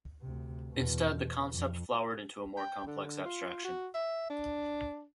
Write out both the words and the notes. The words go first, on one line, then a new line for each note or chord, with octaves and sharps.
Instead, the concept flowered into a more complex abstraction.
D2 C3
E2 B2
F2
G5
D3
F4
F#4
E5
D4